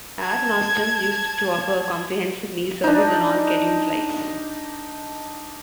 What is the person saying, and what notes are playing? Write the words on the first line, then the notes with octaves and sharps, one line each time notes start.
Air Nostrum used to offer a comprehensive meal service on all scheduled flights.
A5 G#6
D4 D#4